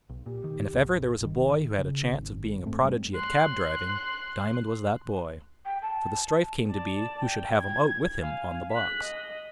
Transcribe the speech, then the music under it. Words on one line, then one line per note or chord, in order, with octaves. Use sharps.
And if ever there was a boy who had a chance of being a prodigy at cab-driving, Diamond was that boy, for the strife came to be who should have him out with him on the box.
B1
A#2 G4
D#3
G#1 C#2
G1 D#3
C#3
G#1
F#1 G#2 A3 C4
F1 G3
C6 F#6
G5
A5
D5 A5
G5
G#6
F5 G#5
F#6 B6
D#5